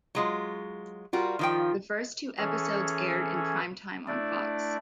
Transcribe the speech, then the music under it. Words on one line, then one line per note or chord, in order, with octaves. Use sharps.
The first two episodes aired in primetime on Fox.
F#3 G#3 F4
G3 F4 F#4 A#4
D#3 F3 G5
E3 C#4 G#4 A4 C#5
A3 D4 E4 D5